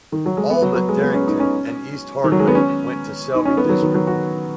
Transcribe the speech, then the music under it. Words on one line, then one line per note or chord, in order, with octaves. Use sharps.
All but Darrington and East Hardwick went to Selby district.
D#3
F#3
G#3
B3
F#3
F#3
G#3
B3
C#4
D#4
C#4
D#3
F#3
G#3
B3
C#4
D#4
C#4
B3
D#3
F#3
D#3
F#3
F#4